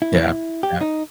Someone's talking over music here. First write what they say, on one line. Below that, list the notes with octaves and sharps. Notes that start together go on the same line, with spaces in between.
Yeah, yeah.
E4
G4
D#4